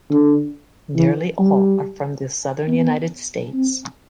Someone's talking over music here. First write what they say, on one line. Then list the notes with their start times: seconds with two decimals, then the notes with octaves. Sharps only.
Nearly all are from the Southern United States.
0.10 D3
0.96 E3
1.39 G3
2.68 B3
3.53 C4